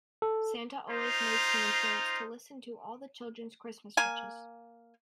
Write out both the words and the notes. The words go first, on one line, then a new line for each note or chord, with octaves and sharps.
Santa always makes an appearance to listen to all the children's Christmas wishes.
A4
D#4 F4 C5 A#5
A#3 G#5